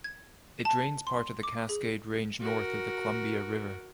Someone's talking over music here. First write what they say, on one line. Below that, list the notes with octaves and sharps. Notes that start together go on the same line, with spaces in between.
It drains part of the Cascade Range north of the Columbia River.
G#6
A5
C6
D6
G#4
F#4 A#4